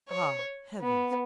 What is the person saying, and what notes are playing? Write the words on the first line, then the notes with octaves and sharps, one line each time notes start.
'Ah, heavens!
C#5
B3